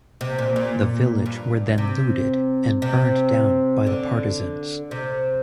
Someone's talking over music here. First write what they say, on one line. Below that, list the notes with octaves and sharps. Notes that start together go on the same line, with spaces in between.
The village were then looted and burned down by the partisans.
C3
A#2
A#2
G2
C3
C3
D3
C3